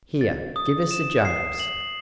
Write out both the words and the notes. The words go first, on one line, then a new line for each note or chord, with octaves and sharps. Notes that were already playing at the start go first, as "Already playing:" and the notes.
"Here, give us a james."
A6
D#6
E7
C7
F#7